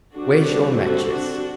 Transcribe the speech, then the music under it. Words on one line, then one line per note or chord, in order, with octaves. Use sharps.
Where's your matches?
D3 G3 C4 D4 F#4
F#4 A4
D4 F#4